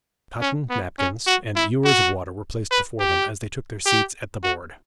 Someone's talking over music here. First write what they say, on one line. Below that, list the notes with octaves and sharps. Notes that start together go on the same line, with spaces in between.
Cotton napkins and ewers of water were placed before them as they took their seats at the board.
C#4
B3
C#4
F#4
E4
F#4
B4
G4
G4
F#4